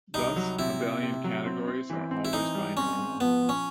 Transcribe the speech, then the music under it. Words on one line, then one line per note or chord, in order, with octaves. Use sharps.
Thus, abelian categories are always binormal.
C2 D#4
F#3
C3 E4
C3
C3
F#3
C4
C4
E3
C4
E4
E3 D#4
G3
C4 C#4
G#2
F3 B3
F3
C#4